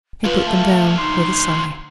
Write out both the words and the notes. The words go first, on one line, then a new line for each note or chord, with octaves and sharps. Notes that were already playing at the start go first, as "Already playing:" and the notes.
He put them down with a sigh.
D2 F3 F4 B4
A3
D#4 C6